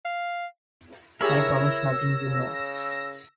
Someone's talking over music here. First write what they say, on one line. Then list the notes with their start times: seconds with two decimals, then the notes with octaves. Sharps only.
I promise nothing, you know.
0.05 F5
1.21 E4 G4 G#4 A#4 C#5 B5 E6 A#6
2.27 C#3